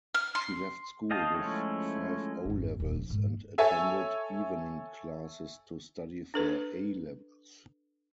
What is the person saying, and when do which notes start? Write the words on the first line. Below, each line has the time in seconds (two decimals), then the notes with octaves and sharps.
She left school with five O-levels and attended evening classes to study for A-levels.
0.14 F6
0.35 C6
1.11 D#5 F5 G5 A5 D#6
1.34 F3 G#3 A3 C#4 E4
2.45 G#1 F2
2.80 D#1 E2
2.96 F3
3.10 G#2
3.58 A4 C#5 E5 G#5 E6
6.34 D4 A4 B4